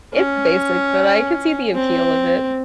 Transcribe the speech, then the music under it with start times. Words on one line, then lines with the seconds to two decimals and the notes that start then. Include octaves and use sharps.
It's basic, but I could see the appeal of it.
0.13 C#4
1.75 C4